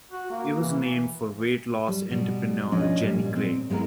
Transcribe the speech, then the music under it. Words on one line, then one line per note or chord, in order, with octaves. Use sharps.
It was named for weight-loss entrepreneur Jenny Craig.
F#4
A#3
E3
G3
B2 G3
F3 C#4 D4 D#5
A#2 G3
C4
G#3 B3 E4 A#4